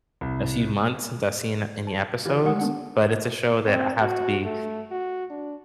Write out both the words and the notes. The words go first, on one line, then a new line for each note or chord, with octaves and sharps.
a few months since I've seen any episodes, but it's a show that I have to be
C2
A5
E3 F4 G4 D5
G#3 A3 G4 F#5 D#6
B3 D4 F#5
C4
F#4
A3
F#4
D4